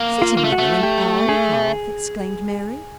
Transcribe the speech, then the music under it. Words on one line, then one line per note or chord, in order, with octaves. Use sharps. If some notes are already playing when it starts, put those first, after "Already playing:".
"Sitting with them an hour and a half!" exclaimed Mary.
Already playing: A#3
F4
A#3
A3
F#4
A3
G4
G#4